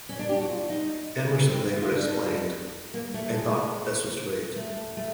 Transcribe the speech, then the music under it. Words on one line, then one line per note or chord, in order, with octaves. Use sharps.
Emerson later explained, I thought this was great.
C#4
D4
G4
F#4
F4
D#4
C#4
C4
E4
F4
D4
D#4
A#3
A3
G#3
A3
A3